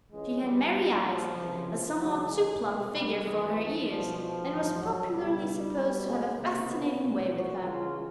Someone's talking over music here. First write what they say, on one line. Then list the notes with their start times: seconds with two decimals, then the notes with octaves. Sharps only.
She had merry eyes, a somewhat too plump figure for her years, and was popularly supposed to have a fascinating way with her.
0.11 C#2 C#3 E3 G#3
0.41 G3
0.73 A#1 A#2
1.04 F3
1.35 C#2 C3 E3 F3
1.67 F3
1.97 D2 C#3 E3 F#3
2.29 G#3
2.60 C2 B2 G#3
2.92 G3
3.23 G#1 G#2 E3 G#3
3.53 F3
3.85 B1 B2 F3
4.16 F3
4.48 A1 G2 D3
4.78 F#3
5.10 C#2 B2 G3
5.40 G3
5.73 B1 B2
6.04 G#3
6.34 C#2 C3 D#3 A#3
6.66 B3
6.97 B1 A#2
7.28 F#4
7.59 C#2 C#3 E3 F4